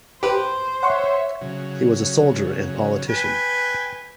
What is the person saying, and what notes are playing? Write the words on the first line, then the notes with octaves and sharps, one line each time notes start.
He was a soldier and politician.
G4 B4 C5
C#5 E5 F#5 C6 C#6
C#3 F#3
B4 G5 G#5